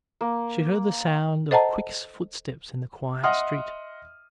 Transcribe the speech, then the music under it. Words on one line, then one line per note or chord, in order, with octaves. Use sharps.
She heard the sound of quick footsteps in the quiet street.
A#3
A4 C5 D#5 F#5 A5 A#5
D#5 E5 F#5 C6 D#6 F6